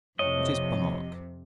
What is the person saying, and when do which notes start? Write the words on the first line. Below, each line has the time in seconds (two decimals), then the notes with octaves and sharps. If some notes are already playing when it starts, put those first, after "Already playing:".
What is Bark?
0.19 F2 A2 C3 C#5 D#5